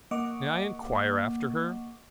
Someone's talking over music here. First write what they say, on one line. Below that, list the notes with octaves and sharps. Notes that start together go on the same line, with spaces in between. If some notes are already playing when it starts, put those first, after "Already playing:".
May I enquire after her?
A#3 D#5 F#5 C#6 D6